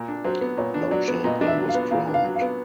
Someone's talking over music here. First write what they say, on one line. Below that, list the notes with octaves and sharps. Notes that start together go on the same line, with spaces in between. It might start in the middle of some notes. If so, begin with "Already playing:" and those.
No champion was crowned.
Already playing: A#2
D4
F#3 C5
B3
A#2 C#5
D4
C#5
F#3 D5
B3
A#2 D#5
D4 D#5
E5
F#3
F5
B3
A#2 F5
D4
F5
F#3
F5
B3